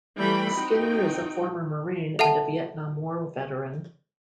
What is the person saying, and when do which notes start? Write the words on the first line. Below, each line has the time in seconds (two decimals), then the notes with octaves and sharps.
Skinner is a former Marine and a Vietnam War veteran.
0.17 E3 G3 A3 G5 B5
0.56 C4 D#4 F#4 G5
2.19 A4 E5 F#5 A5